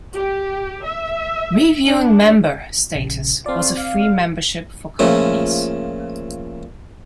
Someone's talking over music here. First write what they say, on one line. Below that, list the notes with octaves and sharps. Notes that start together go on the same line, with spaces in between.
"Reviewing member" status was a free membership for companies.
G4
E5
D4
A#1 C#3
A3 C4 F4 D5
F5
A#2 C#3 F3 A3